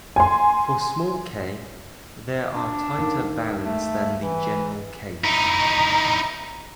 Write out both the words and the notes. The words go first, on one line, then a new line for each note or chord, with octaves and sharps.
For small "k", there are tighter bounds than the general case.
G#5 C6
D4
D#2
A3
E3
D#4 E4